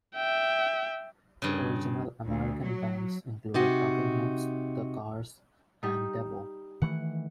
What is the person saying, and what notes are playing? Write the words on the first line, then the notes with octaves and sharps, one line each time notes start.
The original American bands included Talking Heads, The Cars, and Devo.
E5 G5
G2 C#3
D2
F#3
C3 D#4 F#4
G3 D#4
D#3 E3 A3 F#5